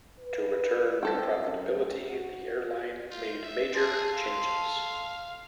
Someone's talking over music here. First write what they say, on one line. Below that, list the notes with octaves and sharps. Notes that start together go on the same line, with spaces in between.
To return to profitability, the airline made major changes.
B4
C4 A4 G5
F#2
D2
F#4
F4 G6
E5
G#4 A4 C6
F5